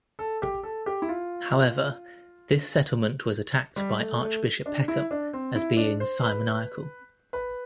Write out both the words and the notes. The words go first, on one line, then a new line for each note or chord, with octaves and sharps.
However, this settlement was attacked by Archbishop Peckham as being simoniacal.
A4
G4
A4
G4
E4
F4
G3
A3
A3
D4
E4
D4
C4
E4
D4
C5
B4
B4